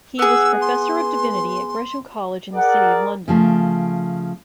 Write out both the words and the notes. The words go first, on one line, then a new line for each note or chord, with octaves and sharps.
He was Professor of Divinity at Gresham College in the City of London.
B3 G#4 E6
C6
G#4 A#4 D5 F#5
C#3 F3 A3